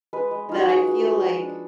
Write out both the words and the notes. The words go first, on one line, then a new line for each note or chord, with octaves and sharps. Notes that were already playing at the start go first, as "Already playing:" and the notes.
that I feel like
G#3 B4
G#3
D#4 F4
F#4
D#4 G#4
G#3
G#3
F3
D4